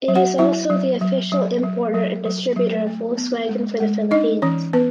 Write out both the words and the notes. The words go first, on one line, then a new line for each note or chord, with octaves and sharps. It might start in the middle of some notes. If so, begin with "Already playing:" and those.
It is also the official importer and distributor of Volkswagen for the Philippines.
F#3
F#4 F#5
F#3 E4 E5
F#3
F#3
F#3
F#3
F#3
F#3
F#3
A3
B3
G#3
G#3
D4 D#4 D#5
E3 C#4 C#5
B3 B4